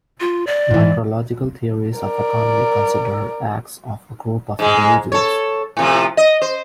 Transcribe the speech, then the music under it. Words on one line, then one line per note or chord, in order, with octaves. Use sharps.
Micrological theories of economy consider acts of a group of individuals.
F4
D5
G#2 E3
A#4 D5
G#2 G#3
A4 C#5
A2 C3 F3
D#5
C5